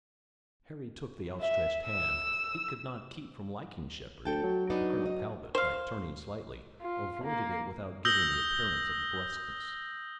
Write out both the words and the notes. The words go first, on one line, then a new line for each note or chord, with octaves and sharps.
Harry took the outstretched hand--he could not keep from liking Shepard--but Colonel Talbot, by turning slightly, avoided it without giving the appearance of brusqueness.
E5
E6
D2 A4 G5 A5
F#3
B3 D4 D#4
D#5
C5 F5
F4
A#3
D#6 E6 G6 A#6 F#7 G7